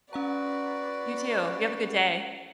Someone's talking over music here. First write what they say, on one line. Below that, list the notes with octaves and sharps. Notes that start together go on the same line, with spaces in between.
You, too. You have a good day.
C#4 F#4 B4 D5 F#5 A#5